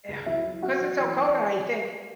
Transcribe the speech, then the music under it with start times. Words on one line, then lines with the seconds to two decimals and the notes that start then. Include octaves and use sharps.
ugh, 'cause it's so cold, and I think,
0.08 C#2
0.26 F#3 E4 E5
0.45 E4
0.62 C#4 F#4 F#5
0.81 F#3
0.99 E3